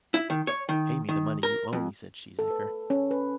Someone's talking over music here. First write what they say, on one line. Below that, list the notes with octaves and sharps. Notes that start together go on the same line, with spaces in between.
"Pay me the money you owe me," said Cheesacre.
E4
D#3
C#5
D#3
D#3
A#4
F2
A4
B4
C#4
B4